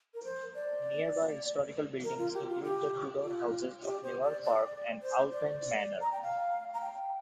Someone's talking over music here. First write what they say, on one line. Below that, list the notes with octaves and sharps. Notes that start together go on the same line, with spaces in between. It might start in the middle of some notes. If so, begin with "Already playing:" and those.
Nearby historical buildings include the Tudor houses of Newark Park and Owlpen Manor.
A#4
C5
D5
A#4
F4
G4
F4
G4
F4
G4
C5
D5
D5
C5
D5
A#5
G5
F5
A#5
G5